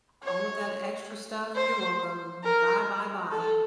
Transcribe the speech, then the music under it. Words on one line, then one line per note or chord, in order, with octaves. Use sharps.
All of that extra stuff? You're welcome. Bye, bye, bye.
C#5
C5
A#4
A4